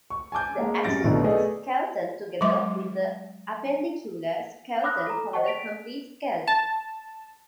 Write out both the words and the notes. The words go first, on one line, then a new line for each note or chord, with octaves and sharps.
The axial skeleton together with the appendicular skeleton form the complete skeleton.
C#6
G#5 A5 D6 G6
G#3 A#3
F#2 G3 A6 A#6 C#7 D7
B1 B2 D#3 A3 D4
A3 B3 G#4 D5 D#5
F#3 G#3 E5 C6 D6
B5 D6 D#6 F6 F#6 A#6
A4 A#5
C5 D#5 F#5 G5 A5 C#6
B6 D7 F7
A5